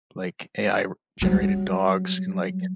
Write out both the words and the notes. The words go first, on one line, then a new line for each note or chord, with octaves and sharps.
like AI r generated dogs in, like
F#3 G3